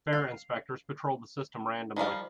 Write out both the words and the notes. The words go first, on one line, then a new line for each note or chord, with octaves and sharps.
Fare inspectors patrol the system randomly.
F5
D#3 F3 G3 F5